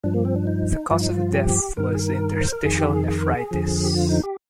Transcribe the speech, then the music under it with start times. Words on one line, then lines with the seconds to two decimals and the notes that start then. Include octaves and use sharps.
The cause of death was interstitial nephritis.
0.04 G2 F3 D4
0.14 A#3
0.25 C4
0.36 D4
0.47 D#4
0.90 G2 F3 F4
1.00 D#4
1.10 F4
1.34 G4
1.77 G2 D#3 A#4
1.95 G#4
1.99 A#4
2.41 C5
2.52 A#4
2.64 F2 D#3 G#4
2.78 G4
2.93 G#4
3.08 G#4
3.18 A#4
3.29 G#4
3.51 F2 D3 F3
3.84 G4
3.94 F4
4.09 D#4
4.23 G4